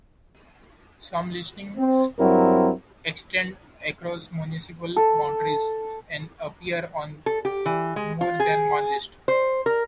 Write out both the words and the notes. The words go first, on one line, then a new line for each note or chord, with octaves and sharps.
Some listings extend across municipal boundaries, and appear on more than one list.
C4
G2 F#3 C4 E4 A#4
A4
A4
G4
E3
G#3
F4
G#4
C5
A#4